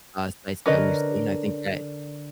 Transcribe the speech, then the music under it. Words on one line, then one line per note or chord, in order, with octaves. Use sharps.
uh, sites that we've seen, I think that,
D3 C#4 A#4 B4 D#5